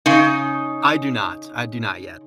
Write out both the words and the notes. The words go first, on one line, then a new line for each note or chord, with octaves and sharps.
I do not. I do not yet,
C#3 D#4